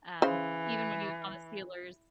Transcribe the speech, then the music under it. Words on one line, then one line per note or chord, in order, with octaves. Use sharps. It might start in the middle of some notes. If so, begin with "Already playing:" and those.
um, even when he was on the Steelers,
C#3 E3 C5